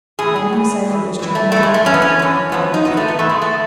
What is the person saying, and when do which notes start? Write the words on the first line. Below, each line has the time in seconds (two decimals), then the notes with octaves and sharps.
Then he said he was turned unto helping, God be thanked.
0.19 A2 E3 G#4
0.36 G#4
0.53 A2 E3
0.85 A2 E3
1.19 A2 E3
1.35 A3
1.52 F#2 E3 A3
1.63 G#3
1.74 A3
1.85 F#2 E3 C#4
1.94 B3
2.02 C#4
2.19 F#2 E3
2.52 F#2 E3 B3
2.74 D#4
2.85 G#2 E3 B3
2.97 A3
3.08 B3
3.19 G#2 E3 A3
3.29 G#3
3.42 A3